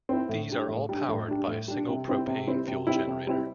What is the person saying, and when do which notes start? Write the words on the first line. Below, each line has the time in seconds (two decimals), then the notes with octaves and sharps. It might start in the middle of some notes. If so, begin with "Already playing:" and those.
These are all powered by a single propane fueled generator.
0.09 C4 E4
0.29 A2
0.49 G3 D4
0.68 A2
0.89 G3 D4
1.09 A2
1.28 G3 D4
1.48 A2
1.68 G3 D4
1.88 C3
2.08 G3 C4 E4
2.28 C3
2.47 G3 C4 E4
2.67 C3
2.87 G3 C4 E4
3.07 C3
3.27 G3 C4 E4